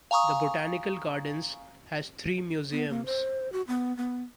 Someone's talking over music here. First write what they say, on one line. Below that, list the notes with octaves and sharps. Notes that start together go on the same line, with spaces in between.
The Botanical Gardens has three museums.
F5 G#5 A#5 C#6 D#6
B3
A#3
C5
F#4
B3
B3